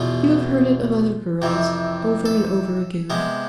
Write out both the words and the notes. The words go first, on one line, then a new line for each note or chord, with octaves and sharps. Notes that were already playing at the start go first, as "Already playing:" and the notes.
You have heard it of other girls, over and over again.
Already playing: E2 B2 B3 F4
F2 C3 E3
A4
C3 G#3 B3